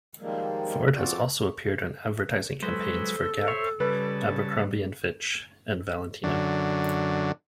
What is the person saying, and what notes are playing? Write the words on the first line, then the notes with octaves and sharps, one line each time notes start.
Ford has also appeared in advertising campaigns for Gap, Abercrombie and Fitch, and Valentino.
D#3 F3 G3 G#3 A#3
F3 C4 F4 F#4 A4 D5
F#3 G#3 A4 B4 C5
C5 C#5 E5
C#3 G3 B4 A5
F#2 D3